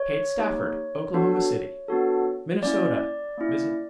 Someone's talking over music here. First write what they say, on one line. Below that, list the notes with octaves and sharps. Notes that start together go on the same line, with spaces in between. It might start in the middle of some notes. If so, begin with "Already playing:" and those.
Kate Stafford, Oklahoma City. Minnesota-Mrs.
Already playing: C#5
A#3 D#4 G4
B3 D4 F#4 A4
B3 D4 F#4 A4
A#3 C#4 E4 D5
A#3 C#4 E4